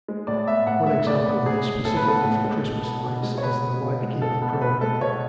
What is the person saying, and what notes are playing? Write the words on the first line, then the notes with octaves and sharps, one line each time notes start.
One example made specifically for Christmas lights is the LightKeeper Pro.
G#3
A2 D5
B3 E5
A2 F#5
G#3 E5
A2 D5
B3
A2 G#4
G#3
A2 A4
B4
B3 A4
A2
G#3
B2
B3
B2
G#3
C#5
B2 B4
B3
B2
G#3
B2 A4
B3 A4
A4
B2 B4
G#3 A4
B2 C#5